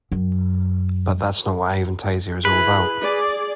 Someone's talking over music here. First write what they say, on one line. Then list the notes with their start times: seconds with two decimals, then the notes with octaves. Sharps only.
But that's not what Avantasia is all about.
0.12 F#2
2.45 E4 G#4 B4
3.02 G#4 D5